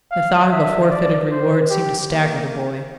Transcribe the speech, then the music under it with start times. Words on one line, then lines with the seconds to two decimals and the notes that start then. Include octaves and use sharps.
The thought of a forfeited reward seemed to stagger the boy.
0.11 F5
0.51 E5
0.90 D5
1.31 C5
1.70 G4
2.10 A#3